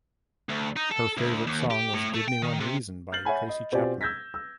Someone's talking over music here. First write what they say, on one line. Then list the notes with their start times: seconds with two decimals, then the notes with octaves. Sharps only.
Her favourite song was "Give Me One Reason" by Tracy Chapman.
0.49 D2
0.77 D#4
0.92 A4
1.18 D2
1.47 D#2
1.70 G4
1.93 A2
2.14 A3
2.28 G5
2.42 D#3
2.60 C3
3.12 F6 G6 A6 C7 F#7
3.25 C#5 E5 F#5 G#5 B5
3.48 D#5 B5
3.72 B2 C4 F4 G4 D5 G#5
4.01 E6 G6 G#6 A#6 B6
4.34 E6